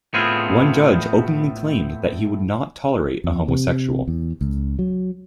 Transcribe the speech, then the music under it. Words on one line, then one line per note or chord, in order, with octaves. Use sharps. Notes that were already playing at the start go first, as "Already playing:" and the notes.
One judge openly claimed that he "would not tolerate a homosexual".
A2 B3 C4 F4 G#4
F2
C3
E2
C#2
F#3